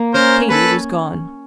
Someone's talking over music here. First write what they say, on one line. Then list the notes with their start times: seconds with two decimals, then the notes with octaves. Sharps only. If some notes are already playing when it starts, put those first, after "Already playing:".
Katy was gone.
Already playing: A#3
0.14 C#4 A#4 C5
0.50 C#4 A4 B4